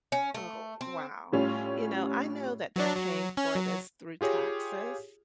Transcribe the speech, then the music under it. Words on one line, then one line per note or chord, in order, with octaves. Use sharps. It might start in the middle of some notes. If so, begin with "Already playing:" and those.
"Oh wow," you know, I know that they're paying for this through taxes,
C#4
A3
C4
A2 G3 C#4 F4
F#3 D4
F#3
C#4
F#3
F4 G4 G#4 C#5